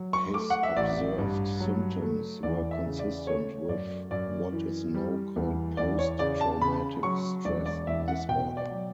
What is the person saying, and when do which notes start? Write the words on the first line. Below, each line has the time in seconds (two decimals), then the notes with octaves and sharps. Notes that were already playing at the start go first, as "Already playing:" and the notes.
His observed symptoms were consistent with what is now called post-traumatic stress disorder.
Already playing: F#3
0.13 C#6
0.34 A3 D6
0.50 F#5
0.63 E5
0.76 A1 D5
1.18 G2
1.60 F#3
2.02 A3
2.43 E2 D5
2.71 E5
2.86 C#3
2.99 D5
3.27 A3 C#5
3.69 F#2 D5
4.11 F#2 D5
4.53 E3
4.94 G3
5.36 E2
5.77 E2 D5
5.99 C#5
6.19 C#3 D5
6.41 A5
6.61 C#3 B5
7.03 F#3 C#6
7.45 E1 D5
7.66 D5
7.87 E2 E5
8.08 F#5
8.29 B2 G5
8.57 D5
8.71 F#3